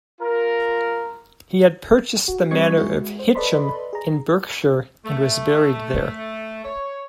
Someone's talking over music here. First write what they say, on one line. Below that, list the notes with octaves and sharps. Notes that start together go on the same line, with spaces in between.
He had purchased the manor of Hitcham in Berkshire and was buried there.
F4 A#4
F#4
G3 C4 D#5 C#6 G#6 C#7
G#3 E4 F#4 G#4
C5
A4 B4 D5 D#5 B5 C6
G#4 A#5
A3
C#5